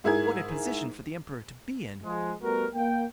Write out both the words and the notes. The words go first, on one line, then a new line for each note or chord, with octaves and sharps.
What a position for the Emperor to be in!
G#2 E4 G#4 A#4 G#6
F3 G#3
G3 A3 B3 F#4 A#4
A#3 G5